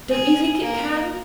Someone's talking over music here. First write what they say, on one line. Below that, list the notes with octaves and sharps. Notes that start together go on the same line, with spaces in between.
Don't you think it can?'
G#4
A#3